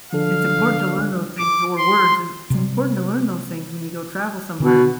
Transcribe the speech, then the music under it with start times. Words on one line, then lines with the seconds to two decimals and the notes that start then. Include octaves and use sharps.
It's important to learn those things or words, it's important to learn those things when you go travel somewhere and
0.13 D3 F3 A4 F5
1.38 D6
1.78 C6
2.50 C3 G3
4.60 B2 D3